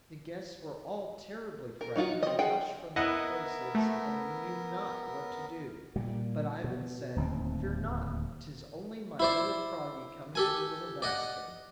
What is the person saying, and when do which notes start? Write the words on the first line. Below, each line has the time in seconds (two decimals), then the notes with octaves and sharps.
The guests were all terribly frightened and rushed from their places, and knew not what to do; but Ivan said: "Fear not, 'tis only my little Froggy coming in her little basket!"
1.81 A#4
1.96 F#3 D#4 F4 F#4
2.23 C4 D#5
2.39 G#4 F#5 G5
2.96 B3 E4 A#4 D#5 F#5
3.75 A3
5.96 A#2 G3
6.64 B2
7.16 D1 D#2 C4
9.20 E4 C5 D5
10.35 G4 A4 G#5
11.02 D5 D#5 F#5